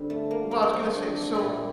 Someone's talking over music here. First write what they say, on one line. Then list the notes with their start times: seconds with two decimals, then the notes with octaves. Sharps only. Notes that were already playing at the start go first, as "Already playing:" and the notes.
Well, I was gonna say so
Already playing: D3 G3 C4
0.10 A3
0.31 A#3
0.51 C4
0.62 A#3
0.73 C4
0.93 D4
1.34 A#2 G3 E4